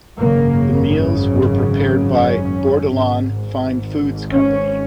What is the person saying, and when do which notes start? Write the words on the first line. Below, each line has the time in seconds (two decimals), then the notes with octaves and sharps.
The meals were prepared by Bordelon Fine Foods Company.
0.17 G#1 F#2 C#3 A#3
2.24 C#4
2.92 G#1 G#2
4.30 C#4